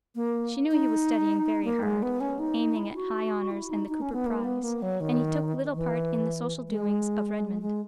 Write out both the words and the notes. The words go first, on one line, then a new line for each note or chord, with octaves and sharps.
She knew he was studying very hard, aiming at High Honors and the Cooper Prize, and he took little part in the social doings of Redmond.
A#3
D#4
A#3
G#3
B3
C#4
D#4
E4
F#4
E4
D#4
D#4
C#4
B3
A#3
B3
A#3
F#3
D#3
E3
G#3
G#3